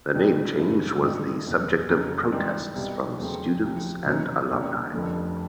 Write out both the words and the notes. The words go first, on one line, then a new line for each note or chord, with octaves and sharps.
The name change was the subject of protests from students and alumni.
B2 G3 B3 E4 G4
G1 F#2 C#3
A1 G2 D#3 G#3
F#1 E2 B2
F2 C#3 F#3 A#3 C#4
G#2 E3 G3 C4 D#4
C2 B2 G3
E2 C#3 F#3 A3 C4
D2 C3 F3
B2 F#3 A#3 C#4
D#2 D3 G3 A#3 C#4
F1 F2 D3 F3 A3